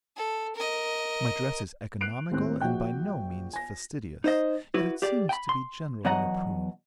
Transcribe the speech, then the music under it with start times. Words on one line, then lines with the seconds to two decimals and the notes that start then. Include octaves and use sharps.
My dress is economical and by no means fastidious; yet it seems to be generally approved.
0.16 A4
0.55 A#4 D#5
2.01 F#6 C7 D7 F7
2.30 G#1 D#2 A2 C4 F#6
2.61 A#1 A#2 F#4 G5 F#6
3.53 G#5 A#6
4.24 D#4 C5 D#5
4.74 E4 F#4 B4
5.02 G4 G#4 D5
5.29 G5 B5
5.49 C6
6.05 E2 B2 F#3 D#5 F#5 A#5